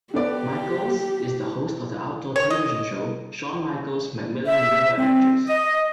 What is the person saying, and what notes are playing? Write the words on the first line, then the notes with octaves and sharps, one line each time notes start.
Michaels is the host of the outdoor television show, "Shawn Michaels' MacMillan River Adventures".
D3 B3 G4 D5
C#5
D#5
E5
C4
D#5